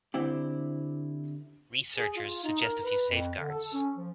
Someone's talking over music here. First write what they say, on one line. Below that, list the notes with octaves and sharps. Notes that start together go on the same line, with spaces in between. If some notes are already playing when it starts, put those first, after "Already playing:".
Researchers suggest a few safeguards.
D3 C4 E4 G4
G#4
F4
D#4
A#4
B4
F2
D3
A4
C#4
F3